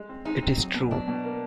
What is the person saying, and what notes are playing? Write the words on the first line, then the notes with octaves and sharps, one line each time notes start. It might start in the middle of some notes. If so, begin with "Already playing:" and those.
It is true.
Already playing: G#3
C4
G#3 D#4
C4
F#3
B2
F#3 D4
B2
A#3